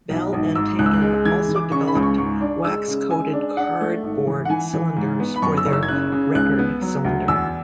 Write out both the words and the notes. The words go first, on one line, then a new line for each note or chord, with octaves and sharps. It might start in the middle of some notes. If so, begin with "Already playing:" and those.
Bell and Tainter also developed wax-coated cardboard cylinders for their record cylinder.
B1
G#1
G#2 E6
C#2 F#6
E6
F#6
G#3
E3 G#6
E3
D6
C#3 C#6
B5
C#2
C#6
G#2 C#6
D4
G#3 E6
C#3
G#3 G#5
D4
D4 F#5
A3
G#1
E3
F#5
E3 G#5
E3
G#2
B3
B5
F#2 C#6
E6
F#1
E6
G#6
C#3 F#6
C#3
C#2 F#6
B3
F#3
D2
E2 E6